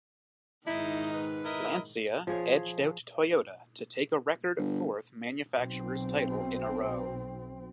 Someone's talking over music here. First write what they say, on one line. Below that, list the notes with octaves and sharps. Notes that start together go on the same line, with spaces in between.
Lancia edged out Toyota to take a record fourth manufacturers' title in a row.
G#2 D#3 D#4 E4
B4
E4 A#4 D#5
F3 G#4 C#5
G1
B1 C4